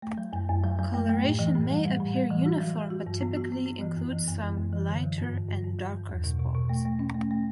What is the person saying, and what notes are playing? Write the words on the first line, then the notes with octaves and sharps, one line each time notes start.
Coloration may appear uniform but typically includes some lighter and darker spots.
A3
F#3
F#2
F#2
F#3
F#3
A3
A3
A2
E3
A2
G3
G3
A2
G3
E3
F#4
F#3
F#3
F#4
G2
B3
F#4
B3
B3
E3
F#2
E3
F#2
F#2
F#2
E3
D3
F#3
G2
G2
G2
G2
F#3
G2
E2
B2
B2
B2
A3
A3
C#4
A3
A3